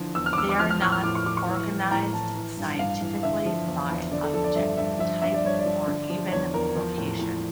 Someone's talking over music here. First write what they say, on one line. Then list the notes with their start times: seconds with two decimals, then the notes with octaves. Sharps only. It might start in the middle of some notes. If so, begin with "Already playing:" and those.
They are not organized scientifically by object type, or even by location.
Already playing: D3 E3 F3
0.15 E2 E6
0.26 F6
0.33 D6
0.37 E2 E6
0.49 D6
0.59 F3 F6
0.70 F6
0.82 A2 F6
0.92 F6
1.03 A2 D6
1.15 C#6
1.26 F3 D6
1.37 C#6
1.47 E3
1.69 A2
1.91 A2 A#5
2.13 E3 A5
2.35 E3
2.57 G2
2.79 G2 F5
3.01 E3
3.23 D3 E5
3.46 F3
3.67 E2
3.90 E2
4.12 D3 D5
4.23 A4
4.33 F3 A4
4.44 D5
4.55 G2 E5
4.78 G2 E5
4.99 F3 E5
5.22 G2 E5
5.34 D5
5.44 G2 C#5
5.59 D5
5.66 F3
5.87 D3
6.10 F3
6.32 E2 C#5
6.54 E2 A#4
6.75 F3
6.98 A2
7.19 A2